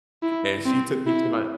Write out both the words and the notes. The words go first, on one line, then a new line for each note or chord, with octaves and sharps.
and she took me to my
E4
C4
E4